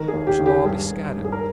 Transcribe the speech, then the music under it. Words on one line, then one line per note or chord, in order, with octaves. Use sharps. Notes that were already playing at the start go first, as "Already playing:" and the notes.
We shall all be scattered.
Already playing: D#3 A#4
G#4
D#2
G4
D#2
G4
G2 G#4
G2
G2
G#4
A#4